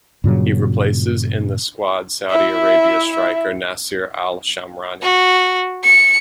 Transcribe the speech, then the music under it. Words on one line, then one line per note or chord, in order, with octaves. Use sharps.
He replaces in the squad Saudi Arabia striker Nasser Al-Shamrani.
G2 A#2 C#3 F#3
E4 E5
F#4
C#7